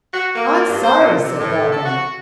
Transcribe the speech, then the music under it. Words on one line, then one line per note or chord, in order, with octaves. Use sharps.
"I'm sorry," said Belvane.
F#4
A#3
G2
C5
A#2
C3
A2
A4
F#4